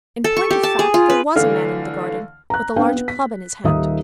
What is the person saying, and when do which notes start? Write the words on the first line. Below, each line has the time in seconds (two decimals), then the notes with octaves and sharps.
In point of fact, there was a man in the garden, with a large club in his hand.
0.24 A4
0.37 C#6
0.51 G4
0.63 A5
0.79 G#4
0.94 F4
1.10 B4
1.35 D3 E3 A3 D4 F5 F6
2.50 A#5 F#6
2.76 B3 C4 D4 F5 G5
2.96 B3
3.08 B6
3.64 D#1 D#2 D#3 D#4 E5 D#6